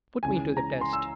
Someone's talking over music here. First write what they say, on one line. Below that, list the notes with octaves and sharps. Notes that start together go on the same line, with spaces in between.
"Put me to the test."
C#2 C#3 E3 G#5
A#5
C6
E6